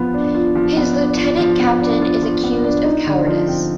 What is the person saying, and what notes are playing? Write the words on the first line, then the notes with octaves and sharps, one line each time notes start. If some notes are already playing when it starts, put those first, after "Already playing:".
His lieutenant captain is accused of cowardice.
Already playing: F3 B3 F4
D4
F4
F3
B3
D4
F4
F3
B3
D4
F4
F3
B3
D4
D#4
D3
F3
C4